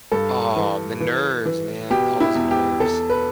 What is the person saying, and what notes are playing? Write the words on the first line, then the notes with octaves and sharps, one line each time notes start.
Aw, the nerves, man. All those nerves.
G2 A4
E3
E3
E3
B2 G4
E4
E2
G4
E2 A4
B4